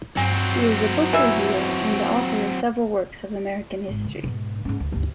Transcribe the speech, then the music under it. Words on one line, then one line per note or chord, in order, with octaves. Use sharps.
He is a book reviewer and the author of several works of American history.
G2 F#3 C4
E3 E5
G#1
D3
G#2 B2
G#2 C#4
D2
G1 D2